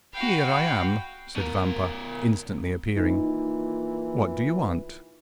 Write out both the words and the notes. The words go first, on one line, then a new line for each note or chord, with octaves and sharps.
"Here I am," said Vampa, instantly appearing; "what do you want?"
F#4 F5 G5 B5
B2 A#4
A#2 E3 D#4